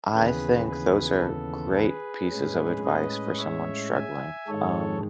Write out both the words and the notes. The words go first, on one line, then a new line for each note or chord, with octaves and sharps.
I think those are great pieces of advice for someone struggling. Um.
D#2 C#3 E3 B3 G#4 B4
G#4 B4
A4
G#4 B4
A2 G#3 C#4
B4 D#5
C#5 E5
E5 G#5
G#2 D#3 G#3 A4 C#5